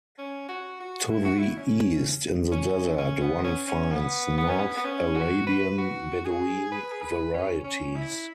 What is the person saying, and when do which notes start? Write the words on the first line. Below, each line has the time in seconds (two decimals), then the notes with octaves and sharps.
To the East, in the desert, one finds North Arabian Bedouin varieties.
0.18 C#4
0.49 F#4
0.80 F#4
1.11 E4
1.25 F#4
1.39 E4
1.58 C#4
2.52 C#4
2.98 C#4
3.22 B3
3.44 C#4
3.67 C#4
3.91 B3
4.38 B3
4.49 C#4
4.59 B3
4.77 B3
4.85 C#4
5.16 F#4
5.47 B4
5.78 F#4
6.25 G#4
6.72 B4
6.92 G#4
7.02 B4
7.34 C#4
7.64 C#4
7.96 E4